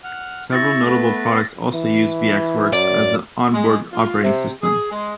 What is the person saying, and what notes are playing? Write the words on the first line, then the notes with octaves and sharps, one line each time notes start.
Several notable products also use VxWorks as the onboard operating system.
F#5 F6
E4 C#6 A6 A#6
A3 B3 B4
E3
F#2 D5
G#3
F4
C3
G#4
G#3